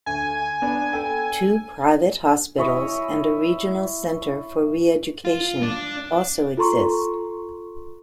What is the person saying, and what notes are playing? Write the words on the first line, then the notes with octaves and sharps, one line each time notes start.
Two private hospitals and a regional center for re-education also exist.
D2 G#5
B3 D4
A4 G5
E4 C#5 D#5
F4
D4
F4 A4 A#5 C6 C#6